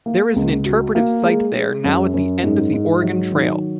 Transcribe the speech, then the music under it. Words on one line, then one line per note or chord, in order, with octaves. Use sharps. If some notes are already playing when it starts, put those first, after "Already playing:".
There is an interpretive site there now at The End of The Oregon Trail.
A#3
C#2
F#4
A#3
G#3
G#3
F#2
F#2
G#2
G#2
F#3
D#3